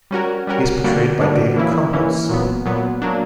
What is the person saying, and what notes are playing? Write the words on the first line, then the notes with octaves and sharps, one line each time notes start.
He is portrayed by David Krumholtz.
G3 C#4 F#4 A#4
G3 C#4 F#4 A#4
D3 G3 A#3 D4 F#4
D3 G3 A#3 D4 F#4
E3 A#3 C#4 E4
E3 A#3 C#4 E4
A#2 F#3 B3
A#2 F#3 B3
F#3 A#3 D4